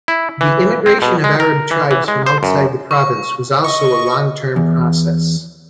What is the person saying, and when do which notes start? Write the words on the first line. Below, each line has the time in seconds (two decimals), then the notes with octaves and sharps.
The immigration of Arab tribes from outside the province was also a long-term process.
0.08 E4
0.41 E3
0.86 C4
1.02 B2
1.24 G#3
1.40 A#4
1.71 E3
1.91 E3
2.08 G#3
2.26 C5
2.43 F#2
2.91 C#6
3.64 D#5 C#6
4.56 E2